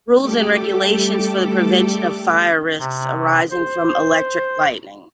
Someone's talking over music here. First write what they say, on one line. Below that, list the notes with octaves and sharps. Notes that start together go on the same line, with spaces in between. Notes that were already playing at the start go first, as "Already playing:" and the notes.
Rules and Regulations for the Prevention of Fire Risks arising from Electric Lighting.
G3 A3 G4 A4 D6
C3
C5